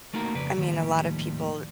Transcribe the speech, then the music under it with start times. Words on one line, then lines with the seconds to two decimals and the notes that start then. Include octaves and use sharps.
I mean, a lot of people
0.14 A3 A#3 D#4 F#4 A#4
0.34 F2 C#3 B4 D5
0.58 D#2 A2 D#3 F3 G3